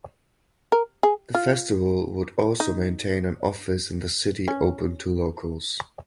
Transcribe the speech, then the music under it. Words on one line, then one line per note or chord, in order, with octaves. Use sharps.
The festival would also maintain an office in the city open to locals.
A#4
G#4
F4
D#4
C#4